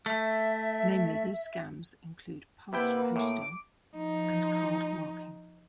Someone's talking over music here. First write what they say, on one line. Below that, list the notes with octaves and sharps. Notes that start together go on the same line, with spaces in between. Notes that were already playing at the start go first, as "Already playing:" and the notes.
Namely, these scams include pastposting and card marking.
A3 E5
C3 A#3 E4 B4 F#5 G5
A2 D6
F3 D#4